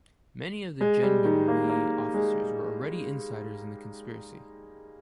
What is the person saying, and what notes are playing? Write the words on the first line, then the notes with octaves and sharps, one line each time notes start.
Many of the Gendarmerie officers were already insiders in the conspiracy.
G#3
G3
D#3
A#3
A#3
G#3